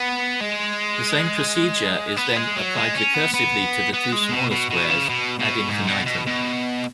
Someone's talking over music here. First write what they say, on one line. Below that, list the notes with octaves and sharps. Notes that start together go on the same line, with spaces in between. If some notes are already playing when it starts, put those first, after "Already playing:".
The same procedure is then applied recursively to the two smaller squares, "ad infinitum".
Already playing: B3
G#3
B3
G#3
F#3
G#3
C#4
B3
B3
B3
G#3
B2
B2
B2
C#3
B2
B2
G#2
B2
B2
B2